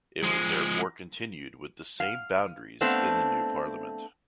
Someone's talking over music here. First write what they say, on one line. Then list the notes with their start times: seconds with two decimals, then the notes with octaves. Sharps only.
It was therefore continued with the same boundaries in the new Parliament.
0.23 F3 G#3
2.00 F5
2.81 A3 B3 C4 D4 A4 F5